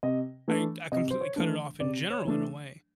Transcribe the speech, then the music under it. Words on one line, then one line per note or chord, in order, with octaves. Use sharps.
I d I completely cut it off in general, in a way.
C3 D#5
E3 A3 D4
C3 D#5
C5
C#5
E3 A3 D4
C3 D5
C#5
E3 A3 D4